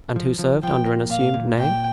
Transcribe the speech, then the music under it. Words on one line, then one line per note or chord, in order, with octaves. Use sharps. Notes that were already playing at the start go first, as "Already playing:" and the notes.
"And who served under an assumed name?"
F3
F3
F3 G5
A#3
A#2 F5
A#2
A#2 G5